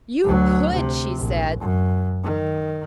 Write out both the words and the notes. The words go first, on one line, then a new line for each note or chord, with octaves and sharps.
"You could!" she said.
D2 F#3
C3
A#1
F#2
D#3